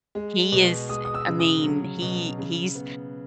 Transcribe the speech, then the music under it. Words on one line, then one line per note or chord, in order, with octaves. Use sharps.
he is, I mean, he he's,
G#3
B2
G#3 D#6
D#6
E6
C#3
D#6
F#3
B2
C#3
B3